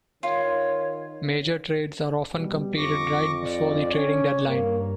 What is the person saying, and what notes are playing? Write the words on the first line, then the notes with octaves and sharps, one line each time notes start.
Major trades are often completed right before the trading deadline.
D#3 F4 C#5
B2 G3
F2 C#6 D6 A#6
D5
C#4 C#5
G2 A#3